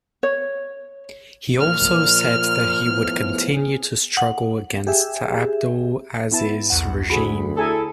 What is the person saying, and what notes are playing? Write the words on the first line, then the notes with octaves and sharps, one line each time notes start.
He also said that he would continue to struggle against Abdel Aziz's regime.
C#5
A#2 F3 F6
A2 F3 B3
G#4
F#5
G4 G#4 E5
B3 E4 A5
B1 E2 F#5
D2 F#4 G#4 A4 B5
E4 G#4 A4 G#5 A#5